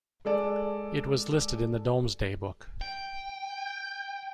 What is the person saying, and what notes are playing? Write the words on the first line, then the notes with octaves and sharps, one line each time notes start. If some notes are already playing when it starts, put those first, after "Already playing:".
It was listed in the Domesday book.
G#3 A4 D5
G5